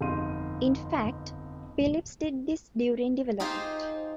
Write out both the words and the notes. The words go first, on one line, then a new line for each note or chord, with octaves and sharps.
In fact, Philips did this during development.
G1 F2 D#4 F5 C6 D#7
D#4 F4 G4 G#4 C5